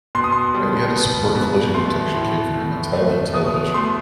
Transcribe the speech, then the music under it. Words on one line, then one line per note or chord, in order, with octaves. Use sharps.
The idea to support collision detection came from the Mattel Intellivision.
B2 C6
D#6
C6
G3
B3
B2
A3 C6
A2
A3
A3
B2 D#6
D#6
A3 C6